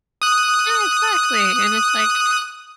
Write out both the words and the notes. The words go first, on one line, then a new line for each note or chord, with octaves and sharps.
Ah, exactly, and it's like
D#6 F#6